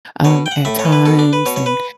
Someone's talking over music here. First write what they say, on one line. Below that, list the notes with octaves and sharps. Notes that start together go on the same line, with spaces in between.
um, at times, and
B2 C#5
G5
F#5
A2 E5
C#5
E3
B4
B2 A4
D4
B4
B2 C#5
C#5
B4